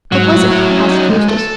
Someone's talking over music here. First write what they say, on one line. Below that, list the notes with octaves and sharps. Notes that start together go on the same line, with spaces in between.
"What was it?" asked Eustace.
G#2 F#3
A2
E4
C#4
D#4
G#3
A4